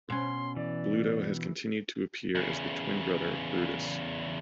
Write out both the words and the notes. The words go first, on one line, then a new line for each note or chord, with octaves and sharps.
Bluto has continued to appear as the twin brother of Brutus.
B2 C#4 C6
E3 D5
E2 C#3